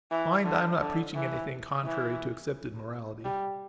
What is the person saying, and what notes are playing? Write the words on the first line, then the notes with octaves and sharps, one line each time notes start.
Mind, I am not preaching anything contrary to accepted morality.
E3
D3
D3
E3
E3
G3